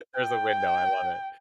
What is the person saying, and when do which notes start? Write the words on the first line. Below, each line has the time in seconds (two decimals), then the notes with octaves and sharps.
There's a window, I love it.
0.18 G5